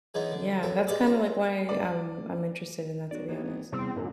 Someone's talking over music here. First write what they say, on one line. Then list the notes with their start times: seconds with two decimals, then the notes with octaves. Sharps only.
Yeah that's kinda, like, why I'm I'm interested in that, to be honest.
0.14 E3 G#3 B3 C#4 D#4
0.31 D3
0.63 F#2 A4 A#4 C#5
0.87 G#3 B3 G4 D5 D#5
1.06 C#4 F4 A#5
1.69 D5
3.11 B1 F#4 D5
3.28 D#2 A#3 B3 G#4
3.43 G#1
3.72 E2 C3 G3 C4
3.96 F#2 A2 D3 F#3